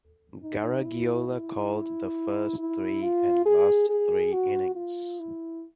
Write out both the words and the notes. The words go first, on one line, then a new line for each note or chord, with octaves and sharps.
Garagiola called the first three and last three innings.
D#4
E4
E4
E4
F4
G#4
G#4
F#4
F4
E4